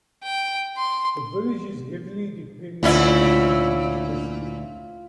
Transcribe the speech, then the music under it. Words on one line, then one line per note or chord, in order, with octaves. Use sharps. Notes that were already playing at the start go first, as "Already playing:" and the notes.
The village is heavily dependent on the seafood industry.
G5
C6
D2 A#2 C#4 E4 F4